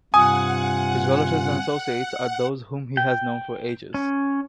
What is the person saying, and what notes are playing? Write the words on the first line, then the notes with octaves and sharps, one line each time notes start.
His relatives and associates are those whom he has known for ages.
G2 C3 F4 F#5 G#5 D#6
G5
C#4